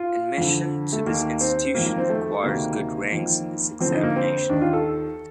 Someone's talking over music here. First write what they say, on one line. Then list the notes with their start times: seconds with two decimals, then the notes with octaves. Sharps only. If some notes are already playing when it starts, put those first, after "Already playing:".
Admission to this institution requires good ranks in this examination.
Already playing: F4
0.38 F2 D3
0.93 A3
1.06 D#2 D#3 A#3
1.41 C4
1.75 F2 D#3 A#3
1.86 A#3
1.98 C4
2.09 A3
2.43 D2 C3 D#3 A#3
3.12 F2 D#3
3.81 F2 D3 C4
3.93 D#4
4.03 A#3
4.16 C4
4.50 D#2 D#3 D4
4.61 F4
4.73 A4